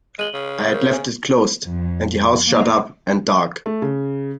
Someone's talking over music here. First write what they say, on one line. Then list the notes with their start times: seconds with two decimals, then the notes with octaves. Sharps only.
I had left it closed and the house shut up and dark.
0.19 G#3 D#7 F#7 G7
0.34 C#3
0.68 A#4 C5 G6
0.93 G#5
1.67 F2
2.47 A#3
3.66 A3
3.82 C#3